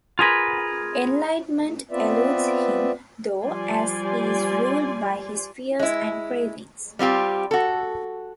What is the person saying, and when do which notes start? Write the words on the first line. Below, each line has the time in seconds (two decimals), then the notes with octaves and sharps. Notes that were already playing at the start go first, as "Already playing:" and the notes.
Enlightenment eludes him, though, as he is ruled by his fears and cravings.
0.19 F4 G#4 A#4 B4
1.91 B3 C4 F4 B4 D5 E5
3.44 F3 G3 D5 G#5 C6
5.79 G#3 E4
6.99 G3 C4 F4 G4
7.51 F#4 A4